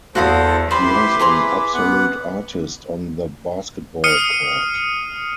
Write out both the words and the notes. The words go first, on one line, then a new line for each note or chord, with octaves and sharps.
He was an absolute artist on the basketball court.
E2 F#4 A4 C5 F5 D#6
E4 G4 B4 C5 B5 C6 D6
E4 G#4 A#5 C6
B3 F#5
D#6 F6 C7 C#7 D#7